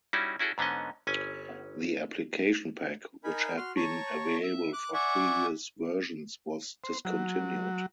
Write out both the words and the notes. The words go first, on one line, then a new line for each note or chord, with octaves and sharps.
The Application Pack which had been available for previous versions was discontinued.
G3 C#4 D#4 E4 F#4
C#4 E4 F#4 G#4 A4
G#2 D3 B3 C#4 D#5
G1 C#4 G#5
D#4 A#4 G#5 B5
F#4 C6 F6
C#5 A5 A#5 C#6
E5
D6 F#6
D5 E5 F#5 G#5 C#6
C5
F#3